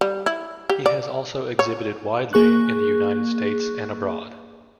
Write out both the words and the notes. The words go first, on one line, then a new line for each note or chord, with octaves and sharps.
He has also exhibited widely in the United States and abroad.
G3
E4
G4
D5
C#5
A#3 G#4 C#6 F#6